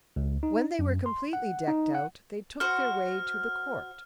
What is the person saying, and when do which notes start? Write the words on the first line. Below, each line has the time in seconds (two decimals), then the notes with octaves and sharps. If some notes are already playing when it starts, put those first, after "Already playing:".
When they were completely decked out, they took their way to the court.
0.16 C#2
0.43 D#4
0.79 F#2
1.06 C6
1.33 F#5
1.68 D#4
1.95 F#5
2.60 F#4 C5 F6